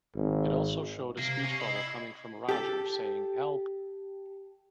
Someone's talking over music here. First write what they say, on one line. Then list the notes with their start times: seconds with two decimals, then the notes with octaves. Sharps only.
It also showed a speech bubble coming from Roger saying Help!
0.15 G#1
1.18 C3 A#3 C7
1.44 C#4
1.60 E4 D#5
1.76 G#6
2.49 G4 A4